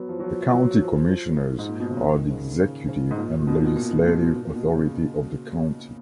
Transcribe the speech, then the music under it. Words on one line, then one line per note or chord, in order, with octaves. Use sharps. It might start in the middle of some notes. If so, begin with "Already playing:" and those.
The County Commissioners are the executive and legislative authority of the county.
Already playing: F#3 B3
F3
F#3
F3
F#3
F3
G#2
A#2
B2
C#3
D#3
C#3
C#3
C#3
G#2
A#2
B2
A#2
B2
A#2
B2
B2
B2
A#2
B2
C#3